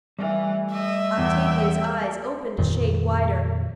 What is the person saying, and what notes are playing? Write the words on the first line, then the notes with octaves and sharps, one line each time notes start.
Octavia's eyes opened a shade wider.
E3 G3 A3 F5
D#5 E5
E2 G5
F2 A#2 D#3